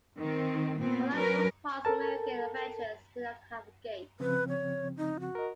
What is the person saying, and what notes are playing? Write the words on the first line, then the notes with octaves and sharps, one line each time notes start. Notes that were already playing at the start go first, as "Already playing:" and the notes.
Unlike most parks, American Adventures did not have a gate.
D#3 C4
A#2 B3 C4
F#3 C#4 A#4 B4
A4 A#4 A5
C#3 F3 C4 B4
C#5
D#4
F#4
A#4 D#5